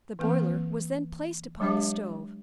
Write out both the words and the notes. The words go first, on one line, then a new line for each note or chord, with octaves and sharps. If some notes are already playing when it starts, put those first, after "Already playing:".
The boiler was then placed upon the stove.
E3 A#3 C4
F#3 G#3 D4 G4 E5 F5